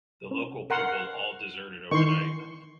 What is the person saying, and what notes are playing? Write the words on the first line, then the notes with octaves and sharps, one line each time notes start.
The local people all deserted overnight.
C#4
A#4 F#5 C6
D#3 E3 C6 C#6